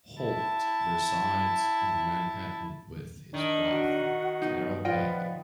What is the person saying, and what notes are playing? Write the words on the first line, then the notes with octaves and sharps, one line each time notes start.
Holt resides in Manhattan with his wife, Carol Hagen.
E4 A5
D#3 D4
F#4 F#5
B2 D#4
F3 F4 B4 D5 D#5 F#5 G5